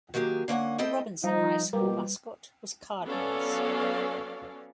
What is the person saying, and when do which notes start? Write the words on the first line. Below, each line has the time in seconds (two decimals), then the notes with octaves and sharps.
The Robinson High School mascot was Cardinals.
0.14 D#3 F#3 A#3 G4 G#4
0.48 D3 A#3 C#4 F#5
0.78 C4 E4 A4 D#5 G5
1.24 F3 G3 D#4
1.73 B2 F3 G3 A#3 G4 B4
3.04 F#3 B3 C#4 A4 D5 F5